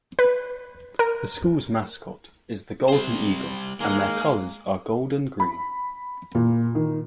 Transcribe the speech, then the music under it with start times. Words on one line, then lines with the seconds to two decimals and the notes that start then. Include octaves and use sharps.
The school's mascot is the golden eagle and their colors are gold and green.
0.19 B4
0.99 A#4
2.89 C3 G3 C5
3.80 D#3 G#3 A#3
5.40 B5
6.35 A#2
6.75 D#3